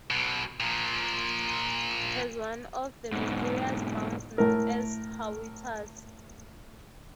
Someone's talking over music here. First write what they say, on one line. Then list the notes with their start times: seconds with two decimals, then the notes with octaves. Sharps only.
Kudahuvadhoo has one of the mysterious mounds known as "hawittas".
0.11 B1 B2
0.60 A#2 F3
3.12 G#2 B2
4.38 A2 A#4